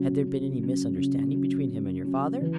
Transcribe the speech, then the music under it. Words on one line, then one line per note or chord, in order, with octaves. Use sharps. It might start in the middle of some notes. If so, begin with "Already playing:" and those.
"Had there been any misunderstanding between him and your father?"
Already playing: C#3 F#3 C#4
C#3
F#3 C#4
C#3
F#3 C#4
C#3
F#3 C#4
E3